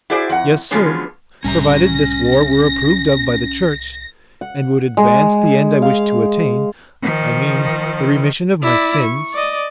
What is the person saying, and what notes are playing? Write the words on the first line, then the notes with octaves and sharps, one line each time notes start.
"Yes, sir, provided this war were approved of by the church and would advance the end I wish to attain--I mean, the remission of my sins."
E4 F#4 G#4 C5 D5
F2 F#5
D3 F3 F#3 G#3 B3 C#4
C2 A2 G3 C#4 G#5 A#5 A#6
F#5
G#3
F5
D#3 F3
E4 D5
C#6
D5 D#5